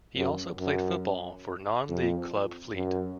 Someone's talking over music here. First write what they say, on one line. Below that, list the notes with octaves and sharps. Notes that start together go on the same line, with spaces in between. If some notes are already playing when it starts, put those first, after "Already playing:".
He also played football for non-League club Fleet.
F#2
F#2
F2
F#2